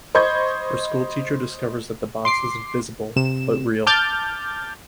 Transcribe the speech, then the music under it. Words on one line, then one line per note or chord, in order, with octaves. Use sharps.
Her school teacher discovers that the box is invisible, but real.
C5 D#5 B5 C#6 G6 G#6
C6 D6 C7
C3 E7
A5 D6 F6 G6 A6